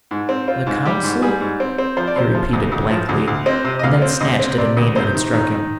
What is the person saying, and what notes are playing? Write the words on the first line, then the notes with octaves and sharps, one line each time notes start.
"The Council," he repeated blankly, and then snatched at a name that had struck him.
G#2
C4
C4 F4
G#2
G3 G4
G#2
G3 G#4
G#2
C4
C4
F3 C5
D5
C3 C5
F3
D2
D2
F3
D2
D2
C4 D#5
C3
D#5
D2 F5
C4
D2 D#5
C4
C3 D5
D2
C3 C5
D#3
D#3
D#3